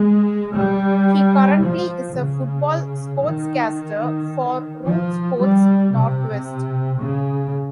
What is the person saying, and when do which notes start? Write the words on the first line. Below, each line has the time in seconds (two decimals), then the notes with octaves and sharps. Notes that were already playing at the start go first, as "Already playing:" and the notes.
He currently is a football sportscaster for Root Sports Northwest.
Already playing: G#3
0.55 G3
1.62 F3
2.16 C#3
3.24 D#3
4.85 F3
5.39 G3
5.93 C3
7.00 C#3